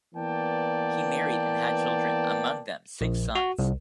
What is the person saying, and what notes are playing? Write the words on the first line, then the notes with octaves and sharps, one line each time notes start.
He married and had children, among them six sons.
E3 A#3 B3 D5 G5 A5
A#1
F#4
C2